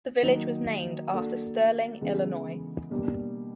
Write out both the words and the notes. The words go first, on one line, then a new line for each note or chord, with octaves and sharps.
The village was named after Sterling, Illinois.
D#3 F#3 A#3 D#4
A#3 D4 F#4 A4
C#3 E3 G#3 B3
B2 G3 A#3 D4